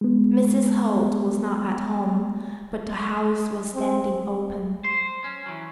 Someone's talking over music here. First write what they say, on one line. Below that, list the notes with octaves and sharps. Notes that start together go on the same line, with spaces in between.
Mrs. Holt was not at home, but the house was standing open.
G#3 B3
C4
C5
C#4
E3 F#3